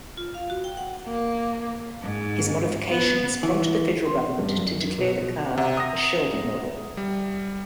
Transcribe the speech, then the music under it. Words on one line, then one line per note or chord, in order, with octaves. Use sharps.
His modifications prompted the federal government to declare the car a Shelby model.
F4
F5
F#4
G5
F#5
A#3
G#2
B3
E3
C6
G2
F#2
B2
C3 E5 F#5 A#5
D#6 A#6
G3